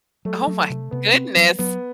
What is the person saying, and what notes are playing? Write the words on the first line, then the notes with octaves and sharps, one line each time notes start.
Oh my goodness.
F#3 A3
F#3
C3
C3 B3
C4
F#3
F#3 B3